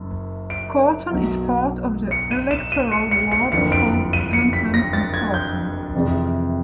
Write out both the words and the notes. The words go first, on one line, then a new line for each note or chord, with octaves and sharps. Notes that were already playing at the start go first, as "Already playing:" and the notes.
Corton is part of the electoral ward called Gunton and Corton.
Already playing: F#1 F#2
D7
B1 B2 F#3
C#7
D#7
E7
D#7
C#7
C#7
C#7
F#1 F2 D3 C#7
D7
D#7
C#7
B6
A#6
A6
G#6
G6
F2 C3 E3 G#3 C4